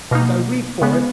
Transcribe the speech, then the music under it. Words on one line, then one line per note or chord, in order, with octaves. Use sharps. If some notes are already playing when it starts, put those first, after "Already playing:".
And I weep for it!
B2 A#3 D#4
C#3 G#3 B3